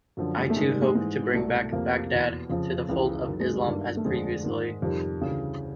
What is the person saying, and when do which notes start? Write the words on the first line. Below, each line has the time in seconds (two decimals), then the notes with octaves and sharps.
I too hope to bring back Baghdad to the fold of Islam as previously.
0.17 F#2 D3 F3
0.37 G#3
0.50 A3
0.56 G#2 D#3 G#3
0.69 G3
0.82 G#3
0.95 G#2 E3 G#3
1.34 C2 B2 A3
1.73 F2 C3 F3 A#3
2.11 E2 B2
2.50 F2 C#3 F3
2.89 C#2 C#3 E3
3.28 F#2 D#3
3.40 G#3
3.54 G3
3.66 G2 D#3
3.97 A3
4.05 F2 D3 F3 G#3
4.44 G#2 D#3
4.82 F2 C3 D#3 G3
5.21 D2 C#3 E3